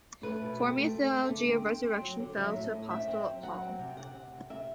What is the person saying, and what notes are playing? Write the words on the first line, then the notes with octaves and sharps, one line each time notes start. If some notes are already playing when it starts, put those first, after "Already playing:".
Forming a theology of the resurrection fell to Apostle Paul.
A3 B4
B2
C4
A3
A3
A3
D3
C4
C4
C4
F#3
D3
F#3 E5
A2
A2
C4 E5
C4
F#3
F#3 F#5
C4
C3
C3 F#5
C3
C3
C3 E5